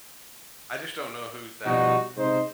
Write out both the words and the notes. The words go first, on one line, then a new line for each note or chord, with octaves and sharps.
I just don't know who's that,
B2 F3 G3 D#4 F#4
C3 G#3 D#4 C5